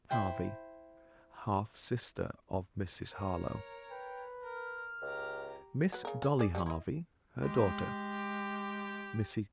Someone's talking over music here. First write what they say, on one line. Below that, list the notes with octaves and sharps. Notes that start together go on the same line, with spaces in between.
HERVEY, half-sister of Mrs. Harlowe. MISS DOLLY HERVEY, her daughter. MRS.
E4 C5 G5
A#4 C#5
B4 G5
A#4 F6
C#2 G4 A#5
F#3 B4
C#3 A#4
C#4
G#4 D5
G3 A3 C#4
E4 D#5
G#3 G4